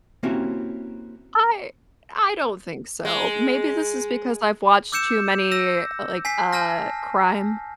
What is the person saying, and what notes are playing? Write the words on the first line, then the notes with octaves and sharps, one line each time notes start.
I I don't think so, maybe this is because I've watched too many, eh like, uh, crime
A#3 C4 C#4 E4 F#4 G4
G#3
D6 E6 G6 C#7 E7
E6 A#6
G#5 B6 C7
G#5 A5 F6 A#6